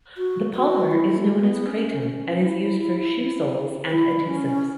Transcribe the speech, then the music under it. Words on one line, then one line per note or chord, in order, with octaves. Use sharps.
The polymer is known as Kraton and is used for shoe soles and adhesives.
F#4
F#4
E4
A3
B3
C#4
C#4
E4
E4
C#4